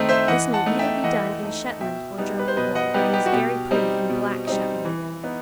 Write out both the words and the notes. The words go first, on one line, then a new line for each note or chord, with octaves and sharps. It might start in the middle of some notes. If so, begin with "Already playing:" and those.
This may either be done in Shetland or German wool, and is very pretty in black Shetland wool.
Already playing: D#3 A3 C4 D#4
C5 E5
E3 D#5 F#5
F#5 A5
A3 D#4
E5 G5
E3 D#5 F#5
A3 D#4
B2 E5 G5
G3 B3 D#4
B4
C5
B2 B4 D#5
D#5 F#5
G3 B3 D#4 G4 B4
G4
F#4
B2 G4
G3 C4 D#4
B2
G3 C4 D#4
E3
B3 D#4